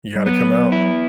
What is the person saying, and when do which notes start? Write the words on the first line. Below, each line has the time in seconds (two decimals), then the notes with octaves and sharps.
You gotta come out.
0.16 G3
0.25 F#3 B3
0.72 E4